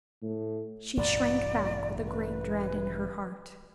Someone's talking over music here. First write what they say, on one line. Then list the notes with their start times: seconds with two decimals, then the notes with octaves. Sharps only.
She shrank back with a great dread in her heart.
0.22 A2
0.97 A1 G2 B2 D5
2.06 B4